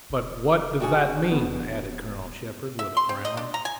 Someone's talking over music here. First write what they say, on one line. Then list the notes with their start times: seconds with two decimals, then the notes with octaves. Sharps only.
"But what does that mean?" added Colonel Shepard, with a frown.
0.10 D#1
0.80 D4 F#4 G#4
1.32 B3
2.79 E5
2.97 C6
3.09 C4
3.25 D#5
3.37 D4
3.54 A#5
3.65 G#5